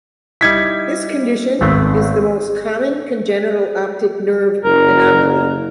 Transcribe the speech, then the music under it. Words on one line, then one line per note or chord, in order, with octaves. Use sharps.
This condition is the most common congenital optic nerve anomaly.
G3 D#4 E4 G#6 B6
G#1 A3 B3 C4
F#1 A#4